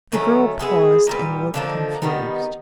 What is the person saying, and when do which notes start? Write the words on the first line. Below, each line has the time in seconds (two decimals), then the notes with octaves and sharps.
The girl paused, and looked confused.
0.12 D#3 F#3 A3 C#4
0.59 G#3 B3 E4 G#4
1.07 A#2 G3 B3
1.54 D3 F3 A#3 D#4
2.02 D#3 G3 B3 D#4